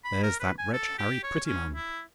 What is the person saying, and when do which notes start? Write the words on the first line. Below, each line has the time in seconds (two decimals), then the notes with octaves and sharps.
There's that wretch Harry Prettyman.
0.04 B5
0.23 A#4
0.40 B4
0.58 G#5
0.73 A4
0.98 G4
1.23 C#5
1.46 C#4
1.74 E4